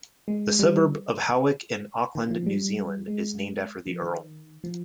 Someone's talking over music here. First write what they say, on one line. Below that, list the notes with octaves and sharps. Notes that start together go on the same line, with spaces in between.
The suburb of Howick in Auckland, New Zealand, is named after the earl.
G#3
G3
D#3
F3
G3
G#3
F3
D#3
F3